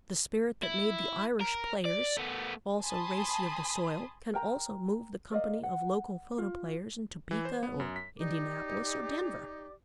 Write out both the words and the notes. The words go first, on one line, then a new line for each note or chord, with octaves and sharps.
The spirit that made the Irish Players, all so racy of the soil, can also move the company of local photoplayers in Topeka, or Indianapolis, or Denver.
E4
A#4
D5
A3 B3
G#5 A5 B5 C6 D#6
A#4 G5 A#5
A#4 D5 D#5 F5
F#5
F4
E3
C5
B3
F#2
B6
D#4 G4 D5 D6